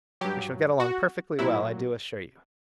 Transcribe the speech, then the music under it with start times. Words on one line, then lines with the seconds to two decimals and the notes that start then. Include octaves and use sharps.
We shall get along perfectly well, I do assure you.
0.21 G2 F#3 G4
0.80 F#4
1.39 A#2 F#3 E4